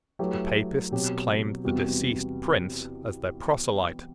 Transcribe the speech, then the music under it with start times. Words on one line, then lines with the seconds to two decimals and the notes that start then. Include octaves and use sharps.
The Papists claimed the deceased prince as their proselyte.
0.19 F#3 A3 E4 G4 B4
0.91 B2 F#3 C4 G4
1.64 E2 C3 G3 B3 F#4